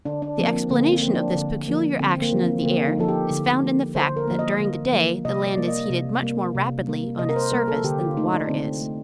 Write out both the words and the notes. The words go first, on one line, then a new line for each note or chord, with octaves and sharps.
The explanation of this peculiar action of the air is found in the fact that during the day the land is heated much more rapidly on its surface than the water is.
D3 D4
D4
F3 A#3 C4
C4
D3 A#3
C4
F3 A#3
D4
D3
F3 A#3
D3 C4
A#3
F3 A#3
C4
D3 A#3
D#4
F3 A#3 A4
G4
D3
F3 A#3
D3 C5
A#4
F3 A#3
D#5
D3
F3 A#3
C3 D#5
D5
G3 A#3
D#5
C3
G3 A#3
C3
G3 A#3
C3 D#5
A#4
C5
G3 A#3 A#4
A4
D3 G4
F4
A3 D#4
D4
D3 C4
A3